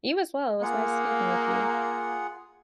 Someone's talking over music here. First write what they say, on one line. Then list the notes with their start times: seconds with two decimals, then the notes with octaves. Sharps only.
You as well. It was nice speaking with you.
0.62 A#3 F4 G#4 F#5